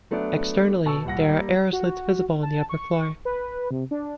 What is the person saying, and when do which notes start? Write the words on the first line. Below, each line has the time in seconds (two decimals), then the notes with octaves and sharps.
Externally there are arrowslits visible on the upper floor.
0.11 F#3 A3 B3 D4 D5
0.85 B2 A5 C#6 E6
1.05 D#1 C2 F#5 A#6
1.28 G3 A#3
1.73 F#4
2.43 A5
2.69 C#6
3.25 B4
3.71 C3
3.91 D4